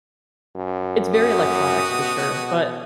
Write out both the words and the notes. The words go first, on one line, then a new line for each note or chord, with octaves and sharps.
it's very electronic for sure, but
F#2
F#4 G4 D#6
B2